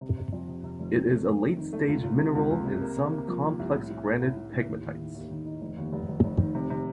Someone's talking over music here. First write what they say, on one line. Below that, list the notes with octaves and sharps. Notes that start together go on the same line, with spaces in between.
It is a late-stage mineral in some complex granite pegmatites.
C3
C3
F2
C3
C3
F1
C4
A3
A3
C4
D#3
A3
C#2
C#2
C3
C#2
C#2
C3
A#3
C3
A#3
F3
A#3
C2
A2
A2
A3
A2
A2
A2
D#2
D#2
D#3
D#2
D#3
D#4
F1
D#2
F1
F1
F1
D#3
C3
C3